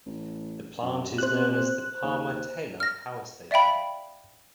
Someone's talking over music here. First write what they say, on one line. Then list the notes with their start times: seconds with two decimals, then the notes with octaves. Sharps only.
The plant is known as the Palmer-Taylor Power Station.
0.06 A1
0.82 F#2
1.18 C3 C5 F#6
2.03 D#2
2.80 F6 A#6
3.51 D5 E5 F5 G5 B5